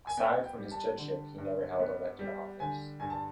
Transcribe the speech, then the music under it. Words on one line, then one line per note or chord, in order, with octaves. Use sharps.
Aside from his judgeship, he never held elected office.
G#5
B3 G5
G5
G3
A5
D3
G2
B3
G3
D3 G#5
G2 G#5
A5